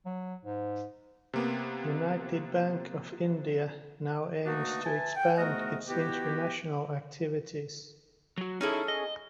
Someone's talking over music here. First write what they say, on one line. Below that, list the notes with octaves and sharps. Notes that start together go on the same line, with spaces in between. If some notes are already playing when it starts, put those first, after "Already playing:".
United Bank of India now aims to expand its international activities.
F#3
G#2
C3 A#3 B3
B2 A3 A#3 D4 D#4 F#4
B4 E5 G#5 A5
F#5 G5
G#2 A3 B3 F#4 A#4 D#5
B2 B3 E4 F#4 G4
F#3 F#4
C#4 D#4 E4 G#4 A4
D#5